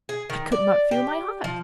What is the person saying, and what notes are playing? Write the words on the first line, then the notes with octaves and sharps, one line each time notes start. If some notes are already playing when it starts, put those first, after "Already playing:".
I could not feel my heart.
G#4
D#3
D5
G4
F3